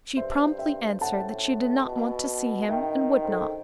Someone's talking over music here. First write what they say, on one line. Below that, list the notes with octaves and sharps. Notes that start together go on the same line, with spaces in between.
She promptly answered that she did not want to see him and would not.
G2 C5 E5
E5 G5
A2 F#5 A5
B2
D#3 E5 G5
A4 C5